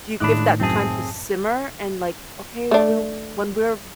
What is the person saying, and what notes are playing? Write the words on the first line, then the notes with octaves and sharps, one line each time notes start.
Do you give that time to simmer and, like, "Okay, we'll when we're
A2 D#3 G#3 D4 B5 D6 F#6
C2 F#2 C4 G#4 A5
A3 D4